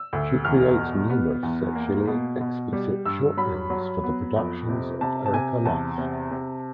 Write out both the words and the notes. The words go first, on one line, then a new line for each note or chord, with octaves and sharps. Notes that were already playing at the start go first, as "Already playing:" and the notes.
She creates numerous sexually explicit short films for the productions of Erika Lust.
Already playing: E6
D2
E2 F6
B2
B3
E2
A#3
B2
B2
G3
G2 E6
F#3 B5
F#3
B3
F2
C3
C3 A5
A5
C3 G#5
E2 A5
C3
C3